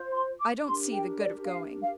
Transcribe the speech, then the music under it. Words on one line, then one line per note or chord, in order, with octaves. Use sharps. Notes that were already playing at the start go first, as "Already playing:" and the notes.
I don't see the good of going.
Already playing: F4 C5
C6
D6
D4 G4 A#4 C6
G5
D5
F5
F5